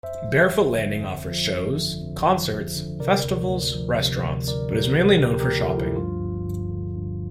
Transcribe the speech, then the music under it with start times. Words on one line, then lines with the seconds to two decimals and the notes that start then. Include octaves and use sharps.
Barefoot Landing offers shows, concerts, festivals, restaurants, but is mainly known for shopping.
0.03 F2 C5 E5
0.28 F3
0.52 G1
0.77 D3
1.02 F2
1.27 F3
1.51 G1
1.77 D3
2.01 F2
2.26 F3
2.50 G1
2.76 D3
3.00 C3 A#4 D5
3.24 D2
3.49 D2
3.74 F3
3.99 C3
4.23 D2
4.48 D2 A#4 D5
4.72 F3 G4 A#4
4.98 C3
5.22 D2 G4 A#4
5.40 G4 A#4
5.47 D2
5.59 F4 A4
5.72 F3
5.77 E4
5.96 G2 F4
6.20 G1
6.46 G1
6.71 D3
6.95 G2